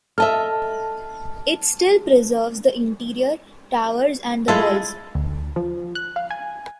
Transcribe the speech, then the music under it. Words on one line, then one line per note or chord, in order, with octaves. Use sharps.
It still preserves the interior, towers and the walls.
A4 D#5 E5 A5 F6
G#3 E4 F4 A4
D2
F3
F#6
F5
G#5